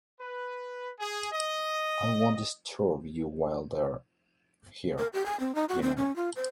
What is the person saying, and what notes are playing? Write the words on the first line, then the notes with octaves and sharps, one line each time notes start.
I won’t disturb you while they’re here, you know.
B4
G#4
D#5
A#4
G4
G#5
C4
D#4
F#4
C4
C#4
F4
C5